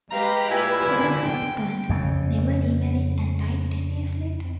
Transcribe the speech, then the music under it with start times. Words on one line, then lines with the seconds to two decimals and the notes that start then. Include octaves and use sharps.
Her husband never remarried and died ten years later.
0.11 G#3 G4 B4 F5 A#5
0.49 A#2 E4 G#5
0.90 D3
1.24 G5
1.89 F2 C#3